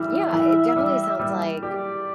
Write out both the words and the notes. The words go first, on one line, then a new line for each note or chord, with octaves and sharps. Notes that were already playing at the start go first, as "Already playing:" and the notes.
Yeah, it definitely sounds like
Already playing: E3 G3 E5
E3
G3
G3
G4 D5